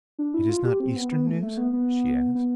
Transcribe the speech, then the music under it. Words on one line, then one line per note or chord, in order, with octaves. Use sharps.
"It is not Eastern news?" she asked.
D4
E4
F4
G4
C4
B3
B3
A3
A3
B3
B3
B3